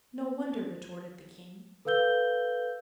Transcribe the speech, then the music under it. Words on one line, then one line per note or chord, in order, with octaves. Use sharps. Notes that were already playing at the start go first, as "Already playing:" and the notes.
"No wonder!" retorted the king.
A4 B4 F5 E6 G6 G7